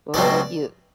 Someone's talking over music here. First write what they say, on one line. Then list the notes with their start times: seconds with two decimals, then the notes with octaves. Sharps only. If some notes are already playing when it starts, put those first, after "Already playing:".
Well, you
0.14 C#2 B2 F#3 A3 C4 D5